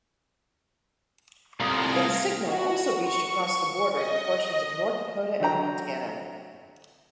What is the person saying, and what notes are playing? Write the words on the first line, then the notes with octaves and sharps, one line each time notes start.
Its signal also reached across the border into portions of North Dakota and Montana.
C2 A2 F4 F5 A#5 D#6 G#6 A#6
F#4
C#6
D#5
D3 F#3 G5 A#5